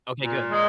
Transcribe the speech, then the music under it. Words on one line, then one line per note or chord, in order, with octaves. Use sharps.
Okay, good.
A#2
G#3